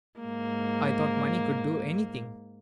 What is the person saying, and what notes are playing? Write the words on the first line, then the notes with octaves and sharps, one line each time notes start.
I thought money could do anything.
G#2 A#3